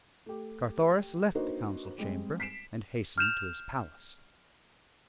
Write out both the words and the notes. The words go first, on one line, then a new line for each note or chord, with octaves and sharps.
Carthoris left the council chamber, and hastened to his palace.
A3 G4
A#3 D4 D#4 F#4 B4 C5
G3 G#3 C4
B6 C7 D7 E7
F6 G6 E7 F7